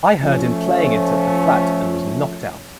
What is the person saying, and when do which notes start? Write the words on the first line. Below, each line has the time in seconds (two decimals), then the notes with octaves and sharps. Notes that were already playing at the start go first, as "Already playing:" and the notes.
I heard him playing it at the flat and was knocked out.
0.21 F3 A3 C#4